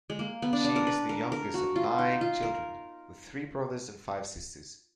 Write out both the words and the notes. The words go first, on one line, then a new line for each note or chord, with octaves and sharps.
She is the youngest of nine children, with three brothers and five sisters.
G#3
A#3
B3
D4
D4
A#4
B4
A#4
A#4
F#4
F4
D#4
F4
A#4